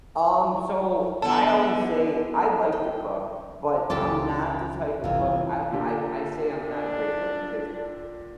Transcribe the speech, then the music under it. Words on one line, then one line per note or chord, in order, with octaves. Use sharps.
Um, so I always say I like to cook, but I'm not the type of cook I I I say I'm not a great cook because
D3 B3 A4 A5
G5
C#2 E3 C#4 F4 G4 A4 D6
G1 C2 C3 E3 F4
A#2 D3 G4
D4